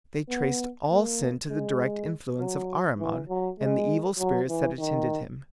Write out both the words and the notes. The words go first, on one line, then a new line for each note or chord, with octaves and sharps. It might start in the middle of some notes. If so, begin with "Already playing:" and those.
They traced all sin to the direct influence of Ahriman and the evil spirits that attended him.
B3
A#3
G#3
F#3
E3
F#3
G#3
F#3
E3
D#3